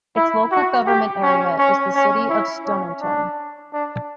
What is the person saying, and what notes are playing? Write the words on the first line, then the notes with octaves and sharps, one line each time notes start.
Its local government area is the City of Stonnington.
E4
F#4
G4
C#4
C#4
C#4
E4
C#4
D4
D4